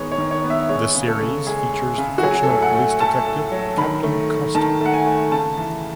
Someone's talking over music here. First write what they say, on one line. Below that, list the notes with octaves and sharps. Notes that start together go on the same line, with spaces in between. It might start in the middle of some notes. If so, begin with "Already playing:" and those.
The series features the fictional police detective Captain Coste.
Already playing: D#3 G#3 B3 C#5
C#5
D#3
C#5
B3
E5
G#3 C#5
C#3
A4
C#3
G#3 G#4
G#3
C#3
F#4
F#3 G#4
A4
A2
F#5
A3
A3 A5
A2
F#3
D#3 B5
A3
A3
D#3 A5
A3 F#5
G#5
A3
C#3 A5
E3